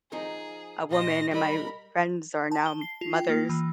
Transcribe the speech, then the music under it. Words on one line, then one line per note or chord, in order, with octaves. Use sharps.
a woman and my friends are now mothers,
F3 D#4 G#4 A#4
A#2 D5 D#5 C6 A#6
G3 A#4 D#5 B5
A5
G7
C7
F4
G5
A#3
E3